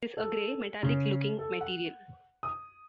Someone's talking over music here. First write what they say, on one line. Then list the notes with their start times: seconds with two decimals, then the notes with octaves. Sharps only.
It is a grey, metallic looking material.
0.17 A4
0.83 C#3
1.39 A4
1.61 F#5
2.43 D#6